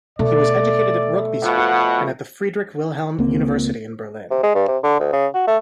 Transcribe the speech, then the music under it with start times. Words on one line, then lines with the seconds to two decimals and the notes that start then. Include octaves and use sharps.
He was educated at Rugby School and at the Friedrich Wilhelm University in Berlin.
0.19 B2 A3 D5
1.44 B2 F3 F#5
3.18 C#2 A#3 C4
4.31 C3
4.43 G#3
4.55 G2
4.68 C3
4.83 D3
5.00 D2
5.13 C#3
5.34 F#4
5.47 A3